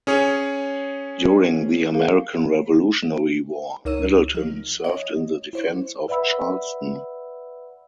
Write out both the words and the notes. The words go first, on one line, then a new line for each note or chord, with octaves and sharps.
During the American Revolutionary War, Middleton served in the defense of Charleston.
C#4 G#4 C#5
G#4 A#4 F5
C#2 D#4 A#4 C#5 E6 D#7
F3 D#4
C#5 D#5
E4 C5 C#5
B4 D5 E5 F#5 B5 E6